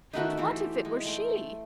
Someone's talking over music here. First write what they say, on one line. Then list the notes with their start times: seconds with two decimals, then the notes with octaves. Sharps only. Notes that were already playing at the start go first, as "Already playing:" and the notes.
And what if it were she!
0.13 D#3 A3 B3 D#4 E4 F#4
0.37 E3 G4 C5
0.85 G#3
1.05 A3 G5 C6